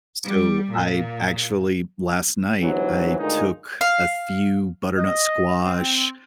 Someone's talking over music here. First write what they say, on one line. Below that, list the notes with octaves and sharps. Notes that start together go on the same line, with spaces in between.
So, I actually last night, I took a few butternut squash,
G3
A#2
G1 G#2 E3 F#3
D2 A#2 D#3 G#3 D#4
F5
D#5
C4